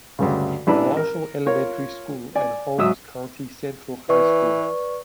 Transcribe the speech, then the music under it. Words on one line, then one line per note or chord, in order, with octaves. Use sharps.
Marshall Elementary School and Holmes County Central High School.
D2 G2 C#3
A1 E3 D4 B5
A#4
F4 A#4 C#5
D5 G#5
G#2 F#3 E5 D#6 E6
E3 B4 D5 C#6